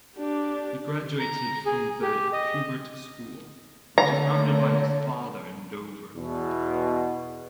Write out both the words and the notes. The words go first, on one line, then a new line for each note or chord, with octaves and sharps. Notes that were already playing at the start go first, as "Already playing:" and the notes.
He graduated from The Kubert School, which was founded by his father in Dover.
D4 G4
A#5
G#4
G4
D#5
D3 A3 A#3 C#5 A#5
E2 B2